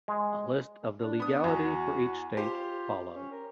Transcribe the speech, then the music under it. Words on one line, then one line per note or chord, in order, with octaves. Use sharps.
A list of the legality for each state follows.
G#3
D4
B3 D#6
E2 F#4
F4 G4 C5
C#4
A#4